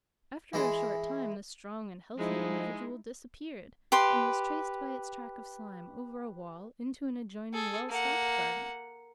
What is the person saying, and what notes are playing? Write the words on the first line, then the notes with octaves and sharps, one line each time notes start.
After a short time the strong and healthy individual disappeared, and was traced by its track of slime over a wall into an adjoining well-stocked garden.
E3 G#3
F3 G#3 D#4 E4
G4 B4 C6
G#4 A4
A#3 F#5